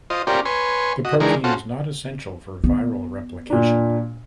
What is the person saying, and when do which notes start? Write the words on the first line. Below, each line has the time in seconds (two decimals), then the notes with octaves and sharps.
The protein is not essential for viral replication.
0.10 F4 C5 D#5
0.27 C#4 F4 G4 A#4 C5 D5
0.45 B4 C#5 G#5 C6
1.05 F#4 D#5
1.20 D#3 E3 G#3 D4 A#4
1.44 C#4 F4 F#4 A4 C5
2.64 B3
3.50 A#2 D4